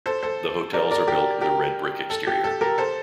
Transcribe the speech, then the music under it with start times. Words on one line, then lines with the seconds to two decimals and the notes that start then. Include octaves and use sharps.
The hotels are built with a red brick exterior.
0.06 A4 C5
0.23 A4 C5
0.73 A#4 D5
0.91 A#4 D5
1.08 G4 A#4
1.41 G4 A#4
2.10 A4
2.27 G4
2.44 A4
2.61 G4 A#4
2.78 A4 C5